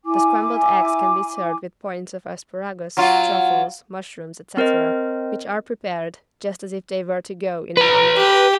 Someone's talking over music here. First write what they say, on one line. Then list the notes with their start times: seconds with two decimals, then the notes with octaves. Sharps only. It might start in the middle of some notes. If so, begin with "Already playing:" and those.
The scrambled eggs can be served with points of asparagus, truffles, mushrooms, etc. which are prepared just as if they were to go in an omelet.
0.04 E4 G#5 D6
2.97 F#3 F4
4.57 C4 A#4 C5 D#5
7.77 B4 A#5
8.17 G4